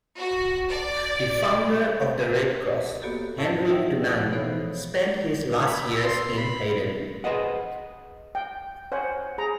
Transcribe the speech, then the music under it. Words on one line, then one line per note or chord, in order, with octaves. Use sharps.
The founder of the Red Cross, Henry Dunant, spent his last years in Heiden.
F#4
D5
A#3 B3 F#4 G4 A4
A2 E4 A5
D#4 E4 D#5 E5 F#5 G5
G#4 D5
B2 F3 E4
E3 B3 D#4 A4 C5 C#5
B5
A4
C6
B5
G#4 B4 C5 D#5 F#5
G5
C5 C#5 F#5 G#5
G#4 A#5